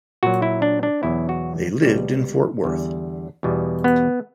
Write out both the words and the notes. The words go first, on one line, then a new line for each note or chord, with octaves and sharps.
They lived in Fort Worth.
A#2 F#3 F#4
E4
D4
D4
E2 B2 F#3 E4
F#4
C#2 B2 G3
E2 D3 G3
E2 B2 G3
B3